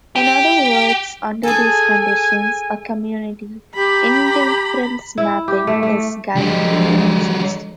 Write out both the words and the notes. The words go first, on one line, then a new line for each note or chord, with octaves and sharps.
In other words, under these conditions a community indifference mapping is guaranteed to exist.
G4
G#4 A4 G#5
G4 A#5 B5
E4
G4
A3
A3
D3 F3 F#3 G#3 G4